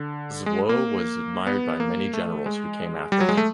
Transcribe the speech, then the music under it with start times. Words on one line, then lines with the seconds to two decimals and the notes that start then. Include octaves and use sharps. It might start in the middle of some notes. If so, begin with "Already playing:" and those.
Zuo was admired by many generals who came after him.
Already playing: D3
0.46 G#3
0.69 A#3
1.47 B3
1.80 A#3
2.13 A3
2.46 G#3
3.12 G3
3.20 F#3
3.29 G#3
3.37 A3